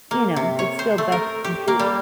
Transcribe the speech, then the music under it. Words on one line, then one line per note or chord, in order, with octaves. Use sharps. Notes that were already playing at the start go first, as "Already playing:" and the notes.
you know, it's still best that you
A#3
C3
C#5
C5
A3
A#4
G4
A#3
G3